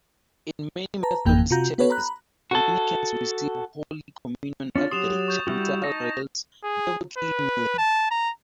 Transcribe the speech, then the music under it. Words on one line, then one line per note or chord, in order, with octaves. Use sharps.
In many Methodist churches, communicants receive Holy Communion at the chancel rails, devoutly kneeling.
B4 A5 A#5
G#1 F2 E3 A#3 G5 G6
C3 F4 F#4 A#5 G6
B3 F#4 A4 B4 C#5
A#5 B5 F#6
F#4 A4
C#4 D4 F4 A6
F#3 G4 C6 D#6 E7 F7
C#6 D#6 G6
G3 E4 F#4
D#4 A5 A#6
G#4
B4
A5
A#5